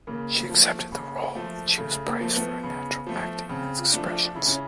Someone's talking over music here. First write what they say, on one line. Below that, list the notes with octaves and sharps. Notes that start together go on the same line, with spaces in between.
She accepted the role and she was praised for her natural acting and expressions.
C#3 A#3
F3 A3
C#3
F3 A3
C#3 A3
A#3
F3 A3
B3
C#3
F3 A3
C#3 C4
F4
F3 A3 D4
F4
C#3 E4
C#4